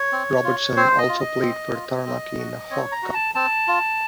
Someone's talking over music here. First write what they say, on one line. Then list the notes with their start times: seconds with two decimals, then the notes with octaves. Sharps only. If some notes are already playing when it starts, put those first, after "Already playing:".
Robertson also played for Taranaki in the Hawke Cup.
Already playing: C#5
0.12 C4
0.44 F4
0.77 C4 C5
0.98 D#5
1.09 F4
1.20 D#5
1.42 C4
1.74 F4
2.06 C4
2.38 F#4
2.71 C4 C#5
2.92 A#5
3.03 F#4
3.14 A5
3.35 C4 A5
3.68 F4